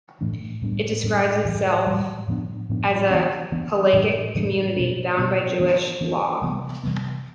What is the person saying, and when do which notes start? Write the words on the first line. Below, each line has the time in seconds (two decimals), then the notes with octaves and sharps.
It describes itself as a "hallachic community bound by Jewish law".
0.21 A2 E3 A3 D4
0.62 A2 G3 B3 D4
1.03 A2 G3 B3 D4
1.45 A2 E3 G3
1.87 A2 E3 G3
2.28 A2 F3 B3 D4
2.69 A2 F3 B3 D4
3.10 E3 B3 D4
3.52 E3 B3 D4
3.93 A2 E3 G3 D4
4.35 A2 E3 G3 D4
4.76 B2 B3 D4
5.17 B2 B3 D4
5.59 E3 B3 D4
6.01 E3 B3 D4
6.42 C3 E3 G3 B3
6.83 C3 E3 G3 B3